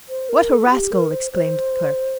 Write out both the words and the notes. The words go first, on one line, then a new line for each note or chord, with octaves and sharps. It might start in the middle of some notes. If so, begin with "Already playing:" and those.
"What a rascal!" exclaimed the clerk.
C5
A#4
A4
F4
G4
A#4
C5
C5